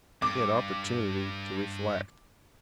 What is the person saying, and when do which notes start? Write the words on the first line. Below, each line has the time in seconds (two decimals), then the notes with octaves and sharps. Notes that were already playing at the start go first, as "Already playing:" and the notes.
He had opportunity to reflect.
0.22 D2 G2 D6